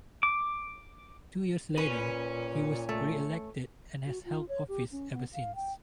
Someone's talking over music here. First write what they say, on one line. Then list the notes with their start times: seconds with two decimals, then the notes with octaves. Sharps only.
Two years later, he was reelected and has held office ever since.
0.23 D6
1.78 A#2 C#4 B4
2.89 A3
4.06 F#4
4.25 F4
4.49 C#5
4.68 G4
4.92 C#4
5.12 B3
5.33 F5
5.55 G5